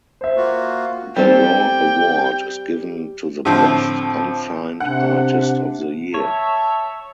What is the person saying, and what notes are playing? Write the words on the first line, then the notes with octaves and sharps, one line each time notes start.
The Raw Award is given to the best unsigned artist of the year.
C5 E5
A#3 F4 F#4
G3 C4 A4 G5
A2 D3 F3 C4
C3 D4 F#5
C#5 E5 A5